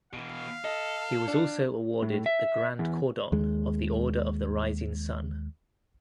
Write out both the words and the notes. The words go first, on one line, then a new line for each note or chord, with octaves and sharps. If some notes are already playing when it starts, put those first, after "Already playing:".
He was also awarded the Grand Cordon of the Order of the Rising Sun.
B2 E3 F5
A4 D#5
D4
A2
E5
E2
D#2 G#3